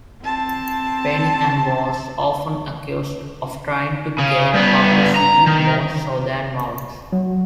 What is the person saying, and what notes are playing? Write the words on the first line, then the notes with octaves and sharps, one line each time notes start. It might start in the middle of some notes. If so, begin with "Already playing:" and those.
Penny Ann was often accused of trying to gain publicity more so than mounts.
C4 A5
C#3
G2 B3
A#5
D#3
F#3